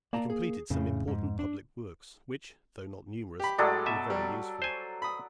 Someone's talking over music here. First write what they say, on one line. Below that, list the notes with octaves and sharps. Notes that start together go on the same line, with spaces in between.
He completed some important public works, which, though not numerous, were very useful.
A#3 D5 A5 A#5
G#4
F2 A2 C#3
G#2
D4
G4 B5
A2 F#3 G#3 A4 D5
B2 E5 G#5
G3
C5 G#5
B5 D#6